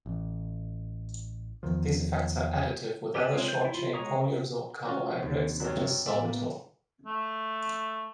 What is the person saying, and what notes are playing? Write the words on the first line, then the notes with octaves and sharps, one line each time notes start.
These effects are additive with other short-chain poorly absorbed carbohydrates such as sorbitol.
A1
E2 D#3 F3
G4 G#4 G#5 A5 F#6
G#3 C4 F4 A#4 C#5
G6
E4 F4
F4
G#3 C#5 A#5 C#6 D#6
C3 C#4 F4 F#4
D#2
G2 F#3
A2 A#3 B3 D5 E5
A3